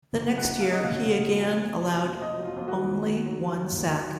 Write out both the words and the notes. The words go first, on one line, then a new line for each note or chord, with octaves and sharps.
The next year, he again allowed only one sack.
F#1
F#2
F#5
F#2
F5
F#3
D#5
F#1 F5
C#3
F#1
F#2
F1
F1
F#3
F1
F2 D#5
F#3
F4
F2 F4
F#4
D#3
D#2
D#3
F#3
F#3
D#2
D#3
D#3